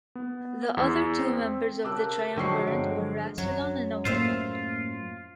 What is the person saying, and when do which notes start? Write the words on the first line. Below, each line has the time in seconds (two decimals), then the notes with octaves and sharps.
The other two members of the Triumvirate were Rassilon and Omega.
0.15 B3
0.77 E2
1.19 C4
1.84 C#3 G4 A#4 A5 D6 E6 F#6
2.38 D3 F3 F#3 G#3 G5 C#6 C7
2.67 G1 D7
3.38 F#2 F#3
4.05 A2 A3 A#3 F4 C5 E5 F5